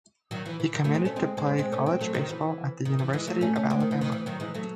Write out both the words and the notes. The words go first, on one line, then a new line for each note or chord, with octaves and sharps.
He committed to play college baseball at the University of Alabama.
D#3 F#3
E3
E3
D#3 F#3
F#3 A3
G#3 C4
A3 C#4
G#3 C4
G#3 C4
G#3 C4
A3 C#4
G#3 C4
F#3 A3
D#3 F#3
E3
D#3
E3
E3 G#3
F#3 A3
A3 C#4
A3 C#4
G#3 C4
D#3
E3
D#3
E3
D#3 F#3
E3 G#3
F#3 A3